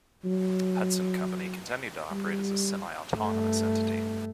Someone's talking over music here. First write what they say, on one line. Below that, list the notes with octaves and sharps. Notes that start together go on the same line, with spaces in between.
Hudson Company continued to operate as a semiautonomous entity.
F#3
G3
G2 A3